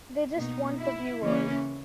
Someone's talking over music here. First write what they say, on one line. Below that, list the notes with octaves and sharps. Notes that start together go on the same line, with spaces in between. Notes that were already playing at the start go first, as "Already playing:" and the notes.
They just want the viewers.
B2 A#3 D#4
E4
C#3 E3 A#3 C#4